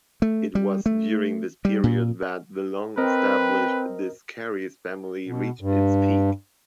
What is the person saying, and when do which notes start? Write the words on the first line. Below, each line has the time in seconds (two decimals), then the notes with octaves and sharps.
It was during this period that the long established Descarries family reached its peak.
0.22 A3
0.55 G3
0.86 A3
1.65 G3
1.84 A#2
2.98 C4 A#4 B4 D#5
5.27 B2
5.61 G2